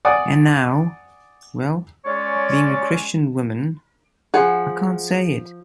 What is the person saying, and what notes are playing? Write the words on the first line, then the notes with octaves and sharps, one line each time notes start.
And now...well, being a Christian woman, I can't say it!
D5 F#5 G#5 D#6
G#3 C#4 C#5 D5
F3 G#4 F#5